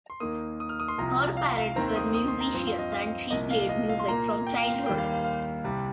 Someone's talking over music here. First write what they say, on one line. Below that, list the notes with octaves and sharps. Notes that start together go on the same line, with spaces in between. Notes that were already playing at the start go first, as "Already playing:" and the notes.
Her parents were musicians, and she played music from childhood.
C6
D#2 D#3 A#3 D#6
D#6
F6
D#6
C6
C2 C3 F3 A#5
F5
F5
D#2 D#3 C4 A#5
D#6
D#6
C6
A#5
G2 F3 C4
F5
D#5
F5
C2 A#2 F3 A#3 D#5
F5
D#5
F5
C6
A#2 A#3 A#5
G5
F5
D#2 D#3 G3 A#3 G5
F5
F5
F5
C2 C3 G3